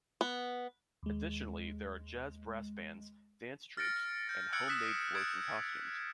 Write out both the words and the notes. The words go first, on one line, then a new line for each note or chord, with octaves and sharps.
Additionally, there are jazz brass bands, dance troupes, and home-made floats and costumes.
B3
D#2 G#3
F6 A6 A#6 C#7 D7
F6 G6 A6
E6 F#6 G#6 C#7 D7 F#7
D#6 F#6 G#6 B6 E7
D#6 G#6 A6 C#7 D7 E7